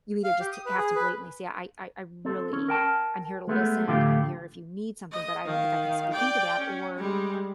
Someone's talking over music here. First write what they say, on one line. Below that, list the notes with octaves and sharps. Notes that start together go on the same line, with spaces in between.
you either just t have to blatantly say, "I I I really I'm here to listen, I'm here if you need something, but I don't think I can speak into that," or,
F5
G4
D#6
B4
G#4
B4
C4 A4
C#4
A#4 G5 A5
G#3 A3 B3
A2 D3 F3 A3 F4 G4
D#5
D#3 F5
D5 G5
C#4
G3 G#3